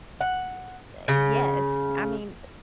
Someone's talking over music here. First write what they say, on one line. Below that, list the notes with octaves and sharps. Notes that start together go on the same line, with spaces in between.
Uh, yes. I mean
F#5
C#3